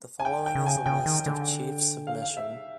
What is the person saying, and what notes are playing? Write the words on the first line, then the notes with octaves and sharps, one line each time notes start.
The following is a list of chiefs of mission.
G#5
G5
G5
C#3
G#5
C#3 G5
D#3
D3
F5
F5
E5